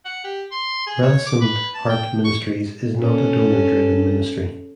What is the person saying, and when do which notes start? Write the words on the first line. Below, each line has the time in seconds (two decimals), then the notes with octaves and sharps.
Ransomed Heart Ministries is not a donor-driven ministry.
0.05 F#5
0.24 G4
0.52 C6
0.87 G#4
1.02 C#5
1.27 D6
1.41 B4
1.74 A5
1.89 G5
2.25 C#6
3.00 C#4 A4